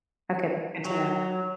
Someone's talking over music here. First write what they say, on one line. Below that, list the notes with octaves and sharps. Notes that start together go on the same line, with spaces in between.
Okay, good to know.
F#3